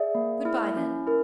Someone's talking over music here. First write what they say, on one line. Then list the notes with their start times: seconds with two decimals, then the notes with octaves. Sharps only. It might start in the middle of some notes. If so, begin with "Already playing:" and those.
"Good-bye, then."
Already playing: G#4 D5 E5
0.15 A#3
0.45 E4
0.77 C#4
1.07 E4 A#4